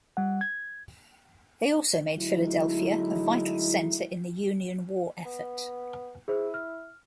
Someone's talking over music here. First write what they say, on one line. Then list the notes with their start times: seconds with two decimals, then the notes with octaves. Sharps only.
They also made Philadelphia a vital center in the Union war effort.
0.17 G3 F#5
0.41 G#6
2.16 D3 F#3 G#3 A3 D#4 E4
5.25 B3
6.28 E4 G#4 C5
6.54 F6